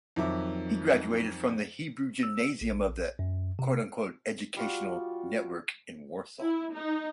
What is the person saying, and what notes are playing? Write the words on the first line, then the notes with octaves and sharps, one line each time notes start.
He graduated from the Hebrew Gymnasium of the "Education" network in Warsaw.
F2 D#3 F#3 E5 D6
E6
A#1
F#2
C3
G3 F4 F#4
E4
D#4